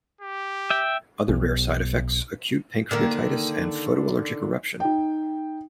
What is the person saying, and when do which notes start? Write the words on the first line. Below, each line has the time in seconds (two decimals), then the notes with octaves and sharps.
Other rare side effects: acute pancreatitis and photoallergic eruption.
0.21 G4
0.70 E5 G5
1.29 B1
2.91 D3 D#3 A#3
4.80 D#4 G5